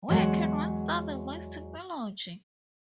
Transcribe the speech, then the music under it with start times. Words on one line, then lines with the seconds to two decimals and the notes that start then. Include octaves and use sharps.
Where can one study voice technology?
0.08 E2 C3 F#3 G#3 F#5